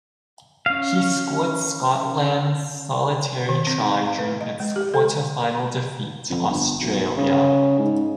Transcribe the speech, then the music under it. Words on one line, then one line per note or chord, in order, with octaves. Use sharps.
He scored Scotland's solitary try during its quarter-final defeat to Australia.
C#4 F5
D#3
C4
D#4
F5
B4
D#5
G#3
G4
A4
F2
G1
B1
C#3
G#2